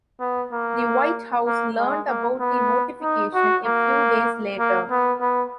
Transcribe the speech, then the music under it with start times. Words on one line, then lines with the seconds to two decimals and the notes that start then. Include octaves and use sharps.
The White House learned about the notification a few days later.
0.20 B3
0.52 A#3
1.46 A#3
1.77 G#3
2.08 A#3
2.40 B3
3.02 D#4
3.34 F#4
3.65 A#3
4.59 A#3
4.90 B3
5.21 B3